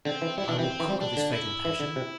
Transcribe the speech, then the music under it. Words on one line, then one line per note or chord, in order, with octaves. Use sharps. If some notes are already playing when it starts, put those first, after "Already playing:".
I will conquer this fatal passion.
D3 C4
E3
G3 E4
C4
E3 D4
E3 C4
E3
G3
G3 D4
D3
E4
E3
D3
C3